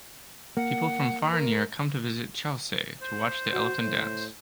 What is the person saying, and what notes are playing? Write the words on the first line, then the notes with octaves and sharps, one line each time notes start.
People from far and near come to visit Kyaukse and watch the elephant dance.
A#3 F#5
A#4
C5
F#4
A2